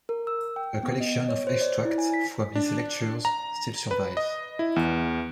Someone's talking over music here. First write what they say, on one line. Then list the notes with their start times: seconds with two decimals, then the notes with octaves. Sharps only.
A collection of extracts from his lectures still survives.
0.09 A#4
0.27 E6
0.56 G5
0.83 B3
1.00 D#5
1.29 C#5
1.47 C5
1.61 D5
1.85 E4
1.98 G#5
2.14 B6
2.55 D4
3.25 A#5
3.91 B4
4.17 D#5
4.59 E4
4.76 E2